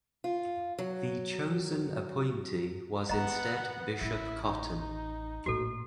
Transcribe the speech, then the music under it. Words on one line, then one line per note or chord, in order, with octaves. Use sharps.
The chosen appointee was instead Bishop Cotton.
F4
F#3
D#3 B3 C4 D#5 F#5 A#5
A1 E4
D#4
A#1 A2 F#4 A4